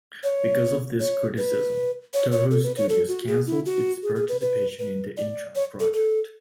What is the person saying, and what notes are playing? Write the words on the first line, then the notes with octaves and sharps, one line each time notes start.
Because of this criticism, Toho Studios canceled its participation in the "Inchon" project.
C#5
C#5
B4
C#5
C#5
A4
B4
C#5
A4
F#4
G#4
E4
F#4
G#4
G#4
B4
B4
B4
D5
C#5
A4
A4